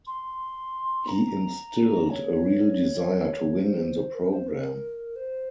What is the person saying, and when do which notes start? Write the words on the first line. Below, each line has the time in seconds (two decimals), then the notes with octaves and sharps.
He instilled a real desire to win in the program.
0.07 C6
1.08 A#5
2.11 C#5
3.63 C5
4.15 A#4
4.31 C5
4.48 A#4
5.16 C5